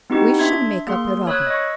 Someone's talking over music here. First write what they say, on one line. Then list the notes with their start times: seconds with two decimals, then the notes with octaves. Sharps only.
We shall make up a rubber.
0.10 B3 C4 D#4 E4 F#4 G4
0.39 D4 E5 C6 G#6
0.87 A#3 G#4 C6
1.27 C#5 B5 D#6 E6 F#6 G#6
1.47 D#5 C#6